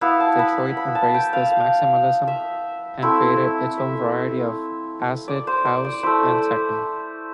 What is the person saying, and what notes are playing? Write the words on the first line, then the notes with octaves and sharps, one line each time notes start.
Detroit embraced this maximalism and created its own variant of acid house and techno.
B3 E4 F5
A5
B5
B5
B5
A5
G5
F5
F5
E5
A3 C4 E4
E5
D5
C5
D5
D5
A3 E4 C5